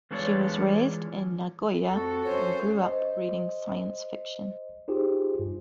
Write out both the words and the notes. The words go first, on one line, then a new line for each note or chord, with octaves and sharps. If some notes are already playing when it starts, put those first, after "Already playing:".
She was raised in Nagoya and grew up reading science fiction.
E3 G#3 D4 F4 C#5 D5
F2 F#4 A4
F#2 C#4 C5 C#5
C5 D#5
D#4 F4 G4 G#4 C5
G2